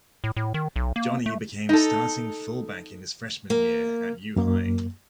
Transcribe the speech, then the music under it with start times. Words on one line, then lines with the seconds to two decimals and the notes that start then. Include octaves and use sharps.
Johnny became starting fullback in his freshman year at U-High.
0.24 A2
0.37 A2
0.54 D#3
0.76 B1
0.96 A#3
1.26 A3
1.69 D#4 A4
3.50 A#3
4.36 F#2 A#3